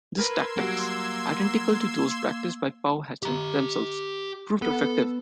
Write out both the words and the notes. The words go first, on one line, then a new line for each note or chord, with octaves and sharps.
These tactics, identical to those practiced by the Powhatan themselves, proved effective.
A#4 B4 C6 E6 G#6
F#3 G3 A#3 F#4
G4 A#5
B3 A4